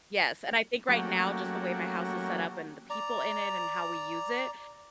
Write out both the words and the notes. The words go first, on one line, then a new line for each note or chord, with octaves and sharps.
Yes, and I think right now, just the way my house is set up and the people in it and how we use it,
F#3 A3 A#3 C#4 F#4 G4
D5 A#5